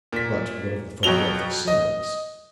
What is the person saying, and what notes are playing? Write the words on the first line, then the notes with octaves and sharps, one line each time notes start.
"But what of the phonographic signs?"
A#2 B6
F2 B2 F#3 F7 G7
D#5